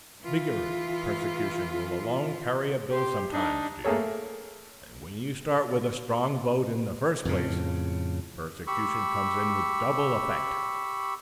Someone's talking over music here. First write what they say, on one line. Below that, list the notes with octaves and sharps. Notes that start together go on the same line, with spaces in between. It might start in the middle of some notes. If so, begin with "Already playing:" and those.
Vigorous persecution will alone carry a bill sometimes, dear; and when you start with a strong vote in the first place, persecution comes in with double effect.
E3 F4
G4 C6
D4 D#4
A3 A#3 G#4 A4 C#5
F2 A2 C#3
G4 B5 C#6 E6